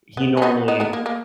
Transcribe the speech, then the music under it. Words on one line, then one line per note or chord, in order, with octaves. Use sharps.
he normally
B3
C#4
B3 D#4
B3 D#4
B3 D#4
A#3
A#3